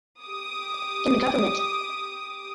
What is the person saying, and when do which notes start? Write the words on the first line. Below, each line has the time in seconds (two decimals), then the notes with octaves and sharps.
In the Govt.
0.23 G4 D6 D#6